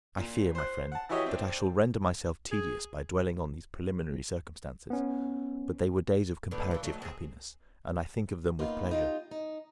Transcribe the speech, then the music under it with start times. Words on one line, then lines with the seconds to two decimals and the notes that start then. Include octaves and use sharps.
I fear, my friend, that I shall render myself tedious by dwelling on these preliminary circumstances; but they were days of comparative happiness, and I think of them with pleasure.
0.18 A#2
0.55 C5 F#6
0.92 F#5 A5
1.09 E3 E4 F#4 G4 C#5 D#5
1.26 C4 D4
2.51 G#4
4.90 B3 C#4
6.51 A2 D3 B3
6.71 G2 E3
6.83 F#3 A3 D#4
7.02 C4 G#4
8.59 A#3 B3 D#4 F4
8.91 D#4 F4 G4
9.31 D#4